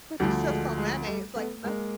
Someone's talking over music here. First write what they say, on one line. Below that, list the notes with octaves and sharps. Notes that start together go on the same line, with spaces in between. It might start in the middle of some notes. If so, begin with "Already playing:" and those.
But it's just on mayonnaise, it's like nothing.
D2 D3 F3 G3 A3
G#3
G#3
G3 A3
A3 B3
G#3 A#3